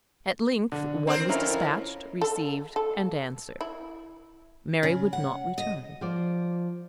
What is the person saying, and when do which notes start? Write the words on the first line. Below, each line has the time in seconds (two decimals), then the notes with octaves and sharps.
At length one was dispatched, received, and answered: Mary would not return.
0.72 D3
1.07 C4 A#4 C5
1.29 F2 C#4 E4 A#4
2.21 A4
2.76 A4
3.61 E4
4.83 C#3
5.13 F#5
5.58 D#5
6.01 F3 C5 D5